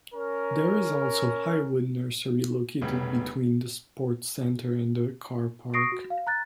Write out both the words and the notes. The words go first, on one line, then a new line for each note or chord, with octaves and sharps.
There is also Highwood Nursery located between the sports centre and the car park.
C#4 A#4
F1 C#3 G3 B3
C#6 D#6 A#6 C7 D7
F#4
F5
A#5 F#6 A6